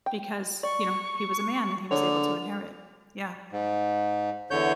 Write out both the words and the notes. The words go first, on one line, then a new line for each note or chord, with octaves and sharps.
because, you know, he was a man, and he was able to inherit. Yeah.
G5
D5 C#6
D3 A#3 G#4 C#5 F7
G#2
E2 D3 C#5 G6